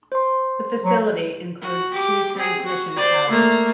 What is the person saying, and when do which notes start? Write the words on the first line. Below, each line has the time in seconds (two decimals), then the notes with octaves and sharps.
The facility includes two transmission towers.
0.12 C5 C6
0.85 F#3
1.61 F#4
1.93 G4 D6
2.37 C4 G#4
2.65 F#4
2.96 C5 D5
3.30 A3 A#3